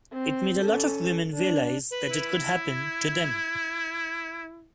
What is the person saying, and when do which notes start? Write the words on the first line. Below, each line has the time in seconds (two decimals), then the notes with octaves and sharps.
It made a lot of women realize that it could happen to them.
0.13 C4
0.62 C#4 A4
1.34 D4
1.91 B4
2.10 E4
2.48 G#6